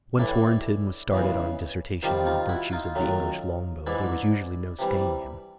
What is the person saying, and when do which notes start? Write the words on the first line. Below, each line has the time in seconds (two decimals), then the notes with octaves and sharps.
Once Warrenton was started on a dissertation on the virtues of the English longbow there was usually no staying him.
0.19 A2 E3 A3 D4 E4
1.11 E2 C#3 E3 G#3
2.03 C3 D#3 G3 D#4 F4
2.26 D#4 F4
2.49 E4 F#4
2.72 D#4 F4
2.95 F#2 D#3 F#3 A3
3.86 G#2 E3 G#3 D4 E4
4.79 C3 E3 G3